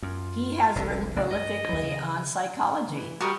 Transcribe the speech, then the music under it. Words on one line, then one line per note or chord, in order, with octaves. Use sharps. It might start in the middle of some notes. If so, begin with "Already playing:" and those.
He has written prolifically on psychology.
F#2 F4
F1 C2 D3
A1 C#3 D4
G2 D#5
D#2 F#3
C#3
E3
G3 F#4 A#4 D#6